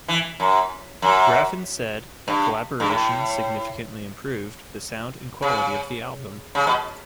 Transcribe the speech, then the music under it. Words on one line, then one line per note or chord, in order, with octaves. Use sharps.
Graffin said that collaboration significantly improved the sound and quality of the album.
E3
F#2
F#2
G2
G2
A2
C#3
C#3
B2